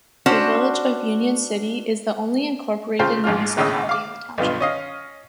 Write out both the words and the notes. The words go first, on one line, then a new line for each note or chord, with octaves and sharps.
The village of Union City is the only incorporated municipality in the township.
C#4 D4 F#4 C5
C#3 F4 C5 F5 G5 A5
A#1 G#2 F3 F4 F6
A#1 A2 C#3 C#5 D#5 E6
F5 D6
B1 G2 B3 F4
C#4 D#5 F5